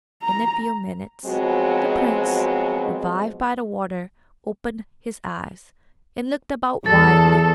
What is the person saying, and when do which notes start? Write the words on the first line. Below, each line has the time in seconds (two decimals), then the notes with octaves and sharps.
In a few minutes the prince, revived by the water, opened his eyes, and looked about wildly.
0.23 A#5
1.25 B2 F3 F#3 G#3 C4
6.86 E2 A4 A6